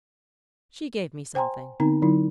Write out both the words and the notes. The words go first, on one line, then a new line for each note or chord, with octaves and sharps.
She gave me something.'
C5 G5 G#5 A#5 C6
D3 B3 C4 D#4 A#5
D3 F#3 D#4 E4